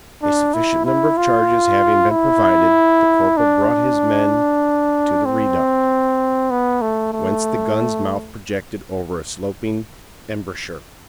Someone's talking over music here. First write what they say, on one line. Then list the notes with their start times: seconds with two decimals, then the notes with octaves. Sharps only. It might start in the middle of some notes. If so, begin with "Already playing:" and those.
A sufficient number of charges having been provided, the corporal brought his men to the reduct, whence the gun's mouth projected over a sloping embrasure.
0.23 D4
0.54 E4
0.86 E4
1.17 F4
2.11 E4
3.37 D4
5.25 C4
6.51 B3
6.82 A3
7.13 A3